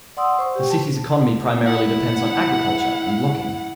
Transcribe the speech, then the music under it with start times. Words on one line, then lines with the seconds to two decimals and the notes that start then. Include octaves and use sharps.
The city's economy primarily depends on agriculture and logging.
0.17 D5 F#5 C6 D#6 E6
0.39 C5 C#6
0.55 G4 G5
0.71 A5
1.65 E4 F#5